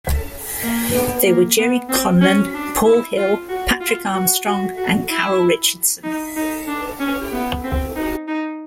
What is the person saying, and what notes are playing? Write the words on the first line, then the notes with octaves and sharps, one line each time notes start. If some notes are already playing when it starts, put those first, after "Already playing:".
They were Gerry Conlon, Paul Hill, Patrick Armstrong and Carole Richardson.
A#3
B3
A#3
B3
C4
C#4
D4
E4
F4
F#4
F4
F#4
F#4
F#4
E4
D#4
D#4
D4
C#4
B3
C4
D#4
D#4